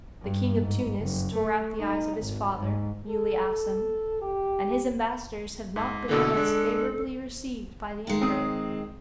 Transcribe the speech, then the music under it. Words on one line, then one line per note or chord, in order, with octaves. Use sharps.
The King of Tunis tore out the eyes of his father, Muley Assem, and his ambassadors have not been the less favourably received by the emperor.
G2
G#2
F#1
A3
D#4
G#1
G#2
A4
G4
G#2
B2 D3 E3 A4
G#3 D4
D#3 G#3
C4 D#6